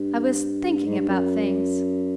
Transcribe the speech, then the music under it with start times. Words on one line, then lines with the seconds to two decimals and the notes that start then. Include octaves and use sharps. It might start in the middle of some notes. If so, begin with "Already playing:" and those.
I was thinking about things.
Already playing: G2
0.86 G#2
0.98 G2
1.09 F#2